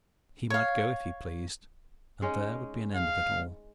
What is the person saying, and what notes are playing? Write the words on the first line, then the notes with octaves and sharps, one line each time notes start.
He might go if he pleased, and there would be an end of it all.
C#5 F5
G#3 C#4 D#4
F5